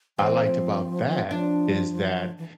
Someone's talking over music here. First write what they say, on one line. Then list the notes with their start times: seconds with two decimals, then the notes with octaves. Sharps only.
I liked about that, is that,
0.18 E3 C4
0.47 F3
1.31 F3 D4
2.38 E3